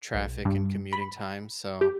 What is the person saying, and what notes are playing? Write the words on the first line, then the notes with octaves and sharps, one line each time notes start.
traffic and commuting time, so
B1
G2
B5
G4